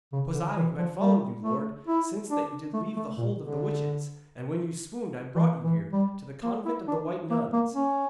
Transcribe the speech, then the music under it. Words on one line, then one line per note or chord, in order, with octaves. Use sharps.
'Twas I who had followed you, lord, since that you did leave the hold of the witches, and when you swooned I brought you here, to the convent of the White Nuns.
C#3
D3
E3
F3
G3
A3
E4
D4
A3
A3
A#2
D3
E3
E3
G3
A#3
E4
D4
A#3
A#3
C#4